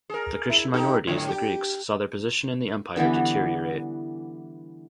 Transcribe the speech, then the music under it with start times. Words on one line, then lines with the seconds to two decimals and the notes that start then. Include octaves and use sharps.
The Christian minorities, the Greeks, saw their position in the Empire deteriorate.
0.10 G#4 A#4
0.50 E4
0.74 D#4 G4 A4
1.07 G#2 D3 F#3
1.29 G4
2.96 D3 E3 G3 B3